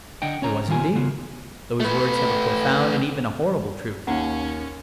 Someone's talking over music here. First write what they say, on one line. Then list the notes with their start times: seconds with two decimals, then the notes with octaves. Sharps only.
There was indeed. Those words have a profound and even a horrible truth.
0.22 D3 D4 D#5 F#5 G5
0.42 C#4 C#5 A#5
0.68 D#3 G3 F4 G#5
0.96 C#3 B3 F4
1.80 A3 B4
4.07 D#2 C#4 F#5 A#5